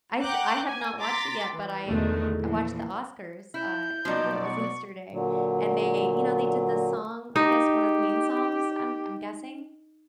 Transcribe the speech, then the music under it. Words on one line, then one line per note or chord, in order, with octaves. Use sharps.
I s I have not watched it yet, but I I watched the Oscars, uh, I think that was yesterday, and they you know, they did the song, I guess one of the main songs, I'm I'm guessing.
F#5 G5 A#5 D6 F#6 G6
G#5
A#5 C6 D6 A6 B6
E3
E2 B2 D3 D#3 G#3 A3
A#2 E3 F3
E4 G6
B2 F3 F#3 D#4 D5
C#6
A#2 D3 F#3
D#4 G4